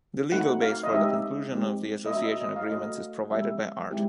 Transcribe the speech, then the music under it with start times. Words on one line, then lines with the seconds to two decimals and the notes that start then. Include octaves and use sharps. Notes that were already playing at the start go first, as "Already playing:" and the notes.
The legal base for the conclusion of the association agreements is provided by art.
0.32 A3 C4 D#4 F#4 F#5
0.62 F5
0.83 D#5
0.92 G#3 C4 D#4 G4 E5
1.52 G#3 C4 D#4 G4
2.06 D#5
2.11 A3 C#4 F#4 E5
2.26 D#5
2.41 D#5
2.56 F5
2.71 A3 C#4 F#4 D#5
3.30 G#3 C4 E4 G4 E5
3.90 G#3 C4 E4 G4